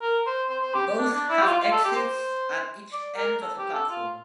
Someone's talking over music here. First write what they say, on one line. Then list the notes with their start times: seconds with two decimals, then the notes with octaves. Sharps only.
Both have exits at each end of the platform.
0.02 A#4
0.26 C5
0.49 C5
0.63 C5
0.74 G4
0.87 G4
0.98 D4
1.15 D4
1.30 E4
1.42 G4
1.48 F4
1.59 F4
1.72 A4
1.84 G4
1.96 C5
2.93 D5
3.17 A#4
3.42 A4
3.58 G4
3.74 A4
3.89 F4